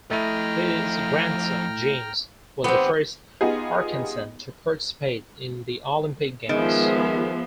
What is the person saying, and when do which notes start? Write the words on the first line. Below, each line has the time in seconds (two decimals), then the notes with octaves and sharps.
His grandson, James, was the first Arkansan to participate in the Olympic Games.
0.11 F2 A3 E4 D#5 G5 A#5 F6
2.64 D#3 B3 C4 G4 C5
3.41 B3 D#4 F4 G4 G#4
6.49 D#3 F3 G#3 B3 G#4 E5